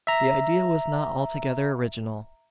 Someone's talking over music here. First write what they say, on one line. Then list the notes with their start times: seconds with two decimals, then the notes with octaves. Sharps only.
The idea was not altogether original.
0.07 E5 A#5